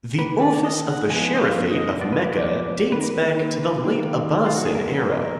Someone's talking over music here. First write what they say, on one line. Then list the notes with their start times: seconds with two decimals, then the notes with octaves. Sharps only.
The office of the Sharifate of Mecca dates back to the late Abbasid era.
0.19 D#3 A#3 B4
0.41 D5
0.65 D#5
0.87 F#5
1.09 F3 G#3 B3 G#5
1.35 D#5
1.40 F5
1.71 D#5
2.01 F3 B3 D5
2.13 B4
2.24 D5
2.92 D#3 A#3 B4
3.01 A#4
3.09 B4
3.84 D#3 A#3
4.46 F4
4.56 F#4
4.65 G#4
4.75 F3 B3 A#4
5.21 A#4